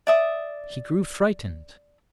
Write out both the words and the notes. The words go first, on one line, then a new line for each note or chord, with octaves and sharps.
He grew frightened.
D5 E5 D#6